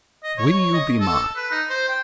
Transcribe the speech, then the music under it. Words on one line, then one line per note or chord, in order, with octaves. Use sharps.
Will you be mine?
D#5
C#5
D#5
A4
B4
D#4
C5
G5